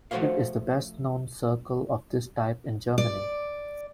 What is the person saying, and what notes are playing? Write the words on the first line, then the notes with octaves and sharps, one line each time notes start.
It is the best known circle of this type in Germany.
F3 A3 F#4 C5 C#5 F5
D5